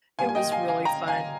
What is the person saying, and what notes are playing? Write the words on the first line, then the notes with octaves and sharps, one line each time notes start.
It was really fun.
A#2 G3 A#3 F5 G#5
G#5
D#5 G5
F5 G#5
F5 G#5
G5 A#5
F5 G#5